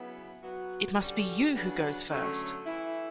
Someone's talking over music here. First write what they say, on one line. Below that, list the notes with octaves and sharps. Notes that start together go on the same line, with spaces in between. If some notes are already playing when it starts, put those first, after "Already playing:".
It must be you who goes first!
Already playing: C#3 F#3 B3 E4
F#3 B3 F#4
D3 G3 C#4 F#4 A4
C#3 F#3 B3 D4
D3 F#3 A3 C#4
E3 A3 E4